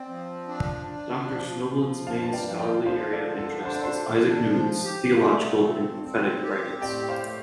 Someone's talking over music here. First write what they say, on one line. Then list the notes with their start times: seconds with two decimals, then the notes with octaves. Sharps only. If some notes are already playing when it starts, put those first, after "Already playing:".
Doctor Snobelen's main scholarly area of interest is Isaac Newton's theological and prophetic writings.
Already playing: C4 D5
0.08 F3
0.48 D4
0.88 D4
1.27 F3
1.66 F3
2.07 G2 F5 A5
2.22 A5
2.33 D5 G5
2.47 F3
2.59 D5 G5
2.85 F3 C5 F5
3.13 A4 D5
3.26 D3
3.39 A4
3.65 D4 C5
3.74 D5
3.84 C5
4.05 D4
4.45 F3
4.84 G4
5.16 F5
5.23 A3 A4 D5
5.64 C4
6.04 C4
6.43 G4
6.82 A2 D5 G5
7.08 C5 F5
7.22 A3